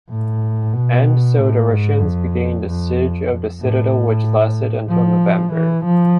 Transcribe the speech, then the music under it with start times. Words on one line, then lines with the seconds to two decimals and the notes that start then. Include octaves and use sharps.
And so The Russians began the siege of the citadel which lasted until November.
0.10 A2
0.74 B2
1.37 A2
1.69 G#2
2.02 F2
2.66 F2
3.61 A2
4.89 F3
5.53 E3
5.85 F3